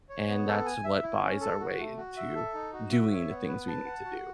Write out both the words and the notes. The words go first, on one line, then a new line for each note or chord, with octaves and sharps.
and that's what buys our way into doing the things we need to do,
C#5
B3
A4
G#5
E5
E4
C#4
A4
F#4
A3
F#4
E5
A4
D#4
F#4
E5
C#5
B3
B4
A5
F#5
F#4